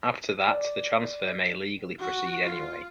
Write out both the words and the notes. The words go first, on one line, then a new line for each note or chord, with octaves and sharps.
After that, the transfer may legally proceed anyway.
D5
F#4
F4